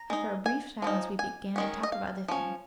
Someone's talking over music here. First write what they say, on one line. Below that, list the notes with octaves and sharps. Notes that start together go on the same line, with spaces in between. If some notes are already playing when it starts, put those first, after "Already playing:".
After a brief silence we began to talk of other things.
Already playing: A#5
G#3 D#4
G#5
F3 G#3 D#4
G#5
D#3 G#3 C#4
D#5
F5
F3 C#4